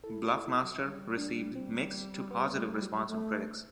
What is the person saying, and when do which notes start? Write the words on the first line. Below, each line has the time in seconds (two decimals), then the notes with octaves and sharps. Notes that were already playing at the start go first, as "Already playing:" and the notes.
"Bluffmaster" received mixed to positive response from critics.
0.04 E4 A4
0.23 F#4
0.42 E4
0.61 F#3
0.79 G3
1.18 D4
1.55 G3 C4
2.31 B3
2.57 A3
2.81 F#3
3.07 A3